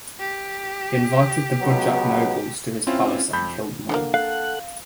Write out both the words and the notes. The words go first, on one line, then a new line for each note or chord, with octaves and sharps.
He invited the Budjak nobles to his palace and killed them all.
G4
C#2 F#3 B3
C4 C#4 E4 F4
F2 B5 G6
D3 G#3 A#3
A4 F5 F#5 F#6